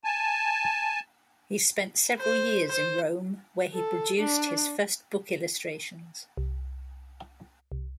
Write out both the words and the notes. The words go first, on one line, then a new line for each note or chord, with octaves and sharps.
He spent several years in Rome, where he produced his first book illustrations.
G#5 A5
C5
C5
A4
D4
C2
C2